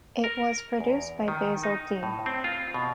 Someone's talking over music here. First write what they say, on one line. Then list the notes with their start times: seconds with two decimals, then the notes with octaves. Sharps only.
It was produced by Basil Dean.
0.24 A#4
0.80 E2
1.28 D#3
1.63 D#4
2.03 A2
2.26 C4
2.44 F4
2.74 B2